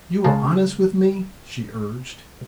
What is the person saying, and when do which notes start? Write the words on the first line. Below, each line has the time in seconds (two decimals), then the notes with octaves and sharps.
"You are honest with me?" she urged.
0.24 C#2 G#4 A#4 F5 A5 A#5